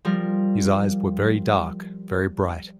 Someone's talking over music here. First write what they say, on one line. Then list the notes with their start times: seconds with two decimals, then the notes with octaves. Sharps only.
His eyes were very dark, very bright.
0.05 F3 G3 A#4